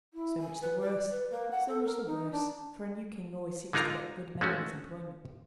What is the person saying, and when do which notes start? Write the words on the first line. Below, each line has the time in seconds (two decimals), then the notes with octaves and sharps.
"So much the worse! so much the worse! for a new king always seeks to get good men in his employment."
0.14 E4
0.38 G#5
0.61 B4
0.80 D5
1.11 B4
1.30 A#3
1.51 F#5
1.68 A4
1.86 A#4
2.06 D#4
2.32 D4
3.73 D3 G#3 D#4 F4 A#4 A#5
4.41 G#3 A3 C#4 F#4